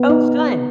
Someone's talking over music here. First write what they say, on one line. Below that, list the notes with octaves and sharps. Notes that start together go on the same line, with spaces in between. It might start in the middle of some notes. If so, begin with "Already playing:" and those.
Oh, fun.
Already playing: B3
D#4